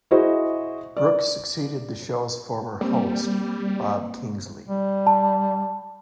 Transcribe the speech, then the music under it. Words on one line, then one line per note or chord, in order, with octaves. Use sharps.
Brooks succeeded the show's former host, Bob Kingsley.
E4 F#4 G#4 C5 D#5
D5
G3 A#3 C4
G3
A5